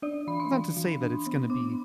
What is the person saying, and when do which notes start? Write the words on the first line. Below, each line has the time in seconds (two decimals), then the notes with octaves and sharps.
Not to say that it's gonna be
0.02 D4 D5
0.27 E3 B5
0.40 C6
0.52 E3
0.77 E3
1.01 D4
1.26 B3
1.50 B3 D6